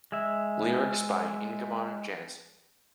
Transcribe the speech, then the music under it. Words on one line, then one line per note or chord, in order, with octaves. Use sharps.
Lyrics by Ingemar Jansson.
G#3 E5